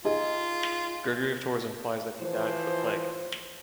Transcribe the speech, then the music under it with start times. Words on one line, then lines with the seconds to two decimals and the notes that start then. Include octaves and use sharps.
Gregory of Tours implies that he died of the plague.
0.05 D#4 F4 G#4 D#5
2.22 E3 F3 C5